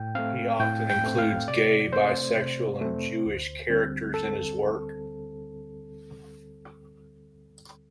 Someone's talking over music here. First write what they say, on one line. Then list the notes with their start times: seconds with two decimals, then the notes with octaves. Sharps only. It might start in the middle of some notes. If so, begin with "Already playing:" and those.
He often includes gay, bisexual, and Jewish characters in his work.
Already playing: A2 G5
0.15 A3 C4 F5
0.60 A2 G5
0.90 G5
1.04 A3 C4
1.18 F5
1.48 C3 D5
1.93 A3 C4 C5
2.37 C3
2.81 A3 C4
3.26 D2
3.70 D3 G3 C4
4.14 A4